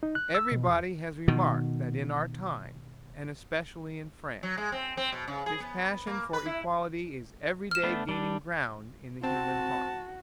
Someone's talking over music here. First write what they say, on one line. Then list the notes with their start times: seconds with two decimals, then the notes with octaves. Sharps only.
Everybody has remarked that in our time, and especially in France, this passion for equality is every day gaining ground in the human heart.
0.03 D#4
0.15 F#6
0.35 E6
0.52 B2
0.67 E2
1.28 B2 D#3
4.43 F#3
4.58 G#3
4.72 C4
4.97 C4
5.12 B2
5.28 C#3
5.46 G#4
5.60 B3
6.07 A#3
6.33 B4
6.46 E4
7.71 F6 E7
7.83 A3 B3 D4
8.09 G3 D4
9.23 C4 F#4 A5